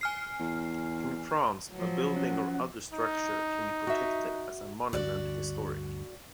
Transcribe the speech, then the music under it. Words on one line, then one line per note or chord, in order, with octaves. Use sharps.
In France a building or other structure can be protected as a Monument historique.
G#5 F6 C7
E2
F3 F#3
C#4 F#5
D#4
F#4 E5
D2 G2 D3 F#4 D5 E5